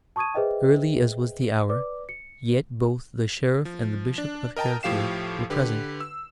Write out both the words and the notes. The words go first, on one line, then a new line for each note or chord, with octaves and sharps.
Early as was the hour, yet both the Sheriff and the Bishop of Hereford were present.
A5 C#6 D#6 G#6 D#7
G#4 B4 C5 D#5 E5 G5
B4 D5 D6
C#7
F3
D4
A#4 D#5 G5 A5 A#5
A2 F3 G4 F5 C7 E7
D3 G4 B4
E6